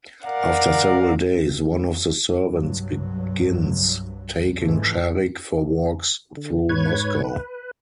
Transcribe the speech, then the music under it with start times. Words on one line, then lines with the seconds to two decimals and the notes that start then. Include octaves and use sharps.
After several days, one of the servants begins taking Sharik for walks through Moscow.
0.25 A#4 D5 F5 F#5
2.46 C2 G2 F#3
4.59 G#2 C#3 E3 F3 G#3 A3
6.37 D3
6.69 G#2 B4 C#5 G#6
7.24 B4